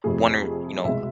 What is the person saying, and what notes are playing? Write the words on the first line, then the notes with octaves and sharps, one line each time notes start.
one or you know,
F2 C3 F3 A3 G#4
C2 B2 G#3 E5